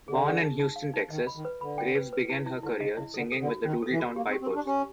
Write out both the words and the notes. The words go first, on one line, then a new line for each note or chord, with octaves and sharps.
Born in Houston, Texas, Graves began her career singing with The Doodletown Pipers.
D3 G#4
G#4
D#4
D#4
F5
D#4
D#3 D#5
B5
D#3
B4
D3 B5
G5
B4
B4
E4
E4
D3 E4
C#3 D#5
C#3 E4
D3 A4
A4
D3
F#4
D#3 C#4
A4
E3
F#4
A#3 G4
C4
G4
C4
D4 G4
C#4 G4